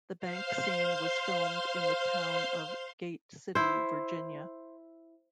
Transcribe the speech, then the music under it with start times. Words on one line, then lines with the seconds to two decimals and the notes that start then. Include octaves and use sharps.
The bank scene was filmed in the town of Gate City, Virginia.
0.19 C5 F5 C6
3.55 E4 C5